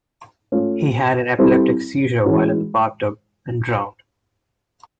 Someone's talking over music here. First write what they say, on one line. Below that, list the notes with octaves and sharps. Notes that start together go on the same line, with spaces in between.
He had an epileptic seizure while in the bathtub and drowned.
A3 C#4 F4
G3 C4 E4 A4
E3 G#3 C#4 F#4